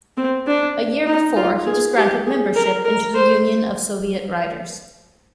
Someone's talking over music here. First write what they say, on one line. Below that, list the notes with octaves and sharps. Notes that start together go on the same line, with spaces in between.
A year before, he was granted membership into the Union of Soviet Writers.
C4
D4
D#4
F4
G#4
G4
G#4
A#4
A#4
C5